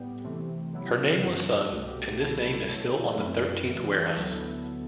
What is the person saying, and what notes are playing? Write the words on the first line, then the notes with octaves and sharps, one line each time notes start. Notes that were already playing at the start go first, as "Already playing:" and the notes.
Her name was Sun and this name is still on the thirteenth warehouse.
Already playing: A2 G3 B3 G4
C3 E3 A3 C4
C3 F#3 B3 E4
F#2 F#3 B3 D4
C2 B2 A3 F#4
G4
G4
C2 B2 F#3 A3 E4 A4
B4
A4
B2 F#3 A3 E4 A4
F#2 F#3 A3 C4 E4 B4
G2 E3 B3
D2 D3 F#3 B3 E4 A4